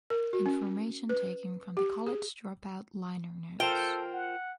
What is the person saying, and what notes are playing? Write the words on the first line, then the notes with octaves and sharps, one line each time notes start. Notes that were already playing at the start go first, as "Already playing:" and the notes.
Information taken from "The College Dropout" liner notes.
A#4
F#4
C#4
B4
G4
G#4
F4 A4 A#4 C5 G5
F#5